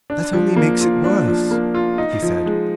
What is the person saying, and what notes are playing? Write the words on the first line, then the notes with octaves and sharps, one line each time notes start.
"That only makes it worse," he said.
D4
F3
A#3
F4
D4
F3
A#3
F4
D#4
F3
G#3